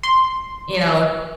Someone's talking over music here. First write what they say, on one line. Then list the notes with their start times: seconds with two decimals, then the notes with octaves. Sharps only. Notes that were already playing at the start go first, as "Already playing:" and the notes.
you know,
0.03 C6